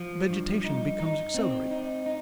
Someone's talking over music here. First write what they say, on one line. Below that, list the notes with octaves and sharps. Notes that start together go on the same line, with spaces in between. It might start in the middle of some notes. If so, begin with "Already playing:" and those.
Vegetation becomes accelerated.
Already playing: F3
G2
D#4
D#4
C4
D#4
D#4